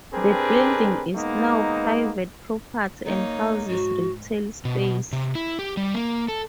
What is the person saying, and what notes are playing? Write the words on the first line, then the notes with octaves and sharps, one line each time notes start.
The building is now private property and houses retail space.
C4 D4 G4 G#4 A#4 B4
G#3 A#3 B3 D#4
A#3 D#4 C#5
G#2 F#4
B2
C3
E4
G4
G3
A#3
A4